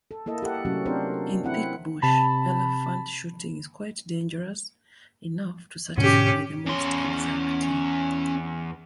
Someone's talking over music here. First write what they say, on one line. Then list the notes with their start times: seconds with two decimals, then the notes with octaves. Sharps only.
In thick bush, elephant-shooting is quite dangerous enough to satisfy the most exacting.
0.11 A4
0.26 A#3 E4 A4 D#5
0.42 G4 A4 F#5
0.65 C3 F#3 A3 C#4 F#4
0.85 C4 D4 F4 G4 A#4 C5
1.44 C4 E4 F#5
2.02 C3 A5 B5
5.98 G#2 B2 D3 C#4 G4
6.66 E2 C#4 C#5 C6